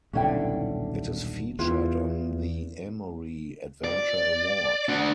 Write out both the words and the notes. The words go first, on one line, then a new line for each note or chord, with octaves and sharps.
It is featured on the Amory Adventure Award.
D#1 B1 D3 C#4 E4 G5
E2 E4 F4
D5
D4 F#4